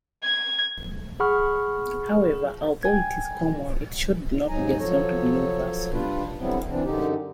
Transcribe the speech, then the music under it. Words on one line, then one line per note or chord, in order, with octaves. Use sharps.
However, although it is common, it should not be assumed to be universal.
G#6
G#4 F#5 B5 C#6 F6
G5 G#5 G#6
D#2 G#2 F#3 D#4 G#5 A#5
F3 F#3 A4 C#5
G3 D4 F4 B4
D3 F#3 G3 B3 C4 E4
E3 C4 D4
F#2 D3 D#4 G4